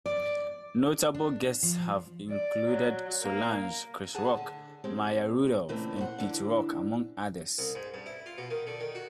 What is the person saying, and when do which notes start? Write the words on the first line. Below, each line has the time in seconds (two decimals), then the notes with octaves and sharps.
Notable guests have included Solange, Chris Rock, Maya Rudolph, and Pete Rock, among others.
0.06 D5
1.14 D4
1.63 F3
2.30 D5
2.67 F#3
3.22 A#3
4.14 G#4 F#5 G#5 A5
4.37 D3
4.84 G#3 C4 G4 G#4
5.69 A#2 C#3 E3 A3 A#3 C4
5.96 C5 C#5 F#5
6.18 D3 E3 D4
7.58 C2
7.75 G#2
7.94 G2
8.06 E4
8.26 F4
8.38 B2
8.50 D#3
8.67 D3
8.80 D#3
8.95 F#4